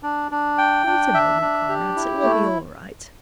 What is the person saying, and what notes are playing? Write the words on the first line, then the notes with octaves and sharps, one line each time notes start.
'Wait a moment, comrades, it will be all right.
D4
D4
G5
D4
E5
D4
G4
E4
A3